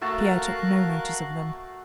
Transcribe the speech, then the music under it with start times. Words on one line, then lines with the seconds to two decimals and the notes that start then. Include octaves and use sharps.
Pierre took no notice of them.
0.01 A3 F#4 A#4 F5 A5 F#6